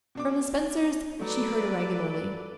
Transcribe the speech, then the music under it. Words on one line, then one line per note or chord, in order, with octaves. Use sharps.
From the Spencers she heard irregularly.
B2 D4 D6
F#3 A3 A4 B4 D5